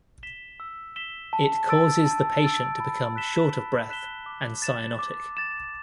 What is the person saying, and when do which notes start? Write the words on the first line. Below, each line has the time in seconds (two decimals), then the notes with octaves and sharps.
It causes the patient to become short of breath and cyanotic.
0.23 B6 E7 G7
0.60 E6
0.96 B6 E7 G7
1.33 A5
1.69 E6 A6 D7
2.05 A5
2.43 E6 A6 D7
2.80 B5
3.16 F#6 B6 E7 G7
3.53 B5
3.90 F#6 B6 E7 G7
4.26 D6
4.62 A6 E7
4.99 D6
5.37 A6 E7